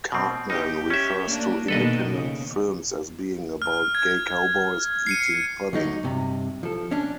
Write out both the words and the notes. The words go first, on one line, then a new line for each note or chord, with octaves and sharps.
Cartman refers to independent films as being about "gay cowboys eating pudding".
B2 C4
D#4 G4
C#4 E5
A#3 D4
B2 D#3 A#3 A4 B4 D#5
C#3
F6
G#6
C7 C#7 D#7
D2 F#3 D#4
G2 C3
F3 A4
C#4 D4